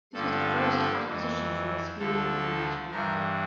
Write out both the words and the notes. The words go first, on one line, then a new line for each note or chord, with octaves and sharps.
This was the first acquisition for Experian in Latin America.
G2 D3 F3 A4
A4
F2 E3
D2 D3 F3 A4
G2 E3 A#4